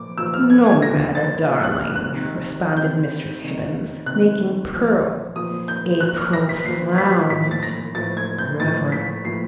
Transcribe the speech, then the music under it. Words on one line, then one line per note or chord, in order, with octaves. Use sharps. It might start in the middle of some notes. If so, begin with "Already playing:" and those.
"No matter, darling!" responded Mistress Hibbins, making Pearl a profound reverence.
Already playing: A#2 F3 D6
A#2 F3 E6
F6
G#6
G#6
A#2 F3 A#6
A6
A#2 F3
F#6
F6
F#6
C3 D#3
C3 D#3 G6
C3 D#3
C3 D#3 F#6
A#2 F3
A#2 F3 D#6
G6
A#2 F3 F#6
F6
A#6
B6
A#2 F3 C7
B6
A2 F3 B6
A6
A#6
A2 F3 A6
G#6
G6
A2 F3 A6
B6
A2 F3 C7